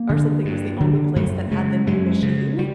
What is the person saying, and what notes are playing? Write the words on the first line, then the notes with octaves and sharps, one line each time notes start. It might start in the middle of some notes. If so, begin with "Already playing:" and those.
or something, it was the only place that had the new machine.
Already playing: A#3
D3
G2
D3
F#2 A3
C#3 G#3
F#2 G#3
C#3
G3